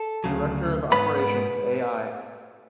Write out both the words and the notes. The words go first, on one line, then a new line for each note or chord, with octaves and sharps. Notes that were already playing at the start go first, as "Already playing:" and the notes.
Director of Operations, a.i.
Already playing: A4 A5
D2 C#3 F#3
G#2 E3 G#3 B3 B4 B5